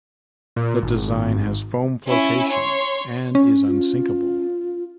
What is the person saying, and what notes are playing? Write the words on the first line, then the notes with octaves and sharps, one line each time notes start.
The design has foam flotation and is unsinkable.
A#2
G#1
C#4 E4
C#5 C6
C#4
F4